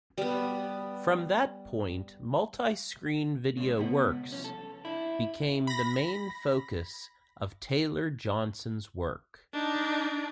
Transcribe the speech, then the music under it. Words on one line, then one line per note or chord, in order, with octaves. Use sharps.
From that point multi-screen video works became the main focus of Taylor-Johnson's work.
G3 B3
C#3 G#3
C#2 B2 B3
C2 F2 C#4
A4
D4 E4
B5 A#6
D4 D#4